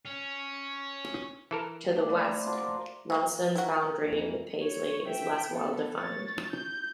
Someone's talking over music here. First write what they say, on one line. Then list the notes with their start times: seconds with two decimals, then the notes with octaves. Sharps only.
To the west, Ralston's boundary with Paisley is less well-defined.
0.05 C#4
1.51 E3 A4 A#4
1.96 A3 A#3 D4 D#4
2.10 B4
2.25 E4 C5
2.46 D4 F4 F#4 D5
2.61 A#4
3.10 E3 A3 A#3
3.56 E3 E4 F#4 A#4 G5
4.02 F2 E3 A#3
4.64 C#5
5.08 E5 G5
5.51 B3 A4
5.99 C#5 A6
6.53 G6